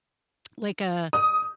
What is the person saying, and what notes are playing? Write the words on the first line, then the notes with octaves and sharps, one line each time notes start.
like a
D#6